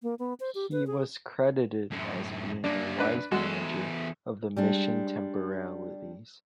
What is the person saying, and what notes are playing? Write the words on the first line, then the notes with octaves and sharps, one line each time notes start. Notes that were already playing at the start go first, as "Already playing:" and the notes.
He was credited as being a wise manager of the mission temporalities.
A#3
B3
C5
G4
B4
G#4
F#2 A2
F#2 A#3 D4
D4 B4
E2 G#3 F#4 A4
G3 G#3 D4